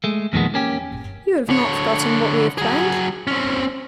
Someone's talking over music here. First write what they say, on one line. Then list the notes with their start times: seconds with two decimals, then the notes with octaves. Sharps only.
You have not forgotten what we have planned?
0.04 G#3 A3
0.33 E2 A#2 D#3 F3 G#3 B3
0.54 A#3 C#4 G4
1.50 D3 C#5
2.58 F#3 G#4
3.27 C4 C#4